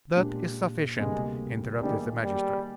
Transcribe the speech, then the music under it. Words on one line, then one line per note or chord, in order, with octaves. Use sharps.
"That is sufficient," interrupted the magistrate.
A#2 G#3 D4 G4
D2 C3 G3 G#3 A#3
G#2 D#3 G3 A#3 D#4 G#4
G3